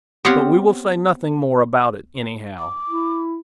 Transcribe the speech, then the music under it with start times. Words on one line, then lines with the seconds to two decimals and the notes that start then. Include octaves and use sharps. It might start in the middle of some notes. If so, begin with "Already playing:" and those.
But we will say nothing more about it, anyhow.
0.25 B3 C4 G4 C#5 F5 F#5
2.59 D6
2.89 E4